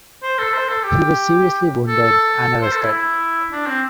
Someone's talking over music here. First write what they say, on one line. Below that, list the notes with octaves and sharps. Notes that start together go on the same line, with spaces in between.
He was seriously wounded and arrested.
C5
A4
C5
A4
G4
A4
A4
C5
A4
E4
E4
D4
C4